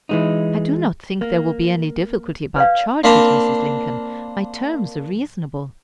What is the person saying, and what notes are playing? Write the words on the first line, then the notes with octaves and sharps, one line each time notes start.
"I do not think there will be any difficulty about charges, Mrs. Lincoln; my terms are reasonable."
E3 G#3 D#4
A#3
B4 D5 F5
A#3 C4 D4 F5 B5 C6